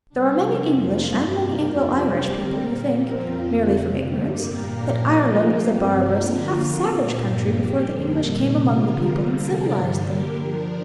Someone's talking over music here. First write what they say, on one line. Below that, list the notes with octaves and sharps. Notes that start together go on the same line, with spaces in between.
There are many English and many Anglo-Irish people who think, merely from ignorance, that Ireland was a barbarous and half-savage country before the English came among the people and civilised them.
C3 G3 D4
C3 F3 C4
F2 F3 A#3 F4
G2 G3 D4
C3 A#3 G4 A#4
F2 F3 D4 F4
C3 G3 C4 G4
D3 G3 C4 A#4
A#2 G3 A#3
F3 C4 A#4
F2 F3 C4 F4
F2 D3 F3
F2 C3 G3
G2 D3 G3 A#3
A#2 A#3 G4 A#4
A#2 F3 A#3 D4 A#4
F3 A#3 F4
C3 F3 A#3 G4
G2 F3 C4
F3 A#3 D4 F4 A#4
D3 A#3 F4 A#4
A#2 F3 C4 F4
A#2 A#3 G4
G2 F3 A#3 D4
A#2 G3 C4 G4
F2 D3 A#3 D4
A#2 G3 A#3
C3 A#3 F4 A#4
D3 F3 C4 F4 A#4
D3 G3 A#3
C3 F3 D4 G4 A#4
G2 D3 G3
D3 A#3 G4 A#4
F3 D4 A#4